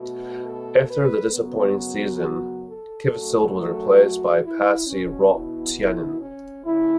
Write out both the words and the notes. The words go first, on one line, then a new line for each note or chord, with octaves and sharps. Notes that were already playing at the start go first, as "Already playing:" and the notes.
After the disappointing season, Kivisild was replaced by Pasi Rautiainen.
Already playing: B2 A3 F#4
A4
B4
F#2 C#3 F#3 B3
F#4
A4
F#2 F#3 A3 A4
A4
F#4
E4
B2 B3 C#4
E4
E4
C#4
C#3 A3 E4